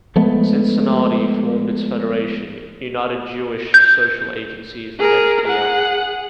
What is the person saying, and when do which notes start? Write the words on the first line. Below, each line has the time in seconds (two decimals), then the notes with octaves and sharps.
Cincinnati formed its federation, United Jewish Social Agencies, the next year.
0.16 F3 G#3 A3 B3
3.74 G6
4.99 G#4 A#4
5.45 G#4 F#5